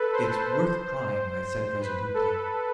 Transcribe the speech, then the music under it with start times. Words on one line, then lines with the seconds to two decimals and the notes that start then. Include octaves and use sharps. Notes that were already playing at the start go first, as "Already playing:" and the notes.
"It's worth trying!" I said resolutely.
Already playing: A4 B4
0.13 C5
1.81 B4
2.14 A4